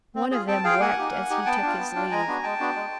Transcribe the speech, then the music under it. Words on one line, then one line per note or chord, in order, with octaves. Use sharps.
One of them wept as he took his leave.
C4
F4 G#4
C4 G5 A5
F4 G#4 F5 G5
A#3 F#5 G#5
D#4 G4
A#3
D#4 G4
B3 G5 A5
D4 F4
B3
D4 F4
G#3 G#5 A#5
B3 D4 F#4
G#3 G5 A5
B3 D4 F#4
G#3